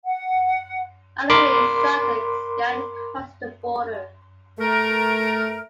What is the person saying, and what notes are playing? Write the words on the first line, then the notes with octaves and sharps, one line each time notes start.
Anna is shot as Gant crosses the border.
F#5
A#4 B5 C6 D6
A3 A#4